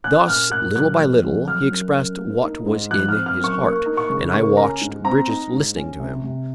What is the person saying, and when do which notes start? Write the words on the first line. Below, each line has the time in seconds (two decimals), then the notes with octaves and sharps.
Thus, little by little, he expressed what was in his heart, and I watched Brigitte listening to him.
0.04 C#4 F#6
0.28 A#2 F6
0.52 A#2 F#6
0.76 F#3 F#6
0.99 F2
1.23 F2
1.47 F#3 F6
1.71 F#2
1.95 F#2
2.19 A#3
2.43 D#4
2.66 G#2
2.91 F3 F#6
3.09 F6
3.15 C4
3.26 F6
3.38 F#2
3.44 C#6
3.62 A#3 C#6
3.86 D#4
3.97 C#6
4.10 C#3
4.33 A#3 C#6
4.57 C#4 A#5
4.81 G#2
5.04 C4 A#5
5.29 D#4
5.52 G#2
5.76 C#4
6.00 C3
6.24 C3